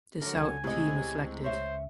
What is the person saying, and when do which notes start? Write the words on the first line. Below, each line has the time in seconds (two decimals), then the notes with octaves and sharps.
The South team was selected.
0.21 D3 F#3 A#4
0.35 C#2 G#5
0.64 A2 C3 G#3 D#5
1.44 C5 C#5 E5